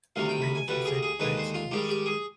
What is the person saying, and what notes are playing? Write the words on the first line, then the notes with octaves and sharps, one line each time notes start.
Playoffs decide tied scores.
D2 C3 D#3 G3 F5
G5
B5
G#5
D2 D3 G3 B4
G#4
G#4
D#2 D3 G#3 B4
C5
F4
G#2 D#3 G3 G4
G4
G#4